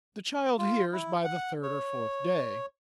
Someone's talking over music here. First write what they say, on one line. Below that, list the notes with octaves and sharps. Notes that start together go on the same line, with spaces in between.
The child hears by the third or fourth day.
F4
E4
F#5
C#5